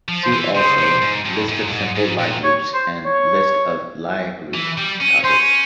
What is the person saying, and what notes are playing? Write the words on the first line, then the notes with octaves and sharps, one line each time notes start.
See also: List of simple Lie groups and List of Lie group topics.
F3
C5
E3
C#3 C5
C3
G#2
G2
G#2
G2
G#2
G#2
A#2
C#5
C5
C#5
E3
G3
C#4
C#4 C5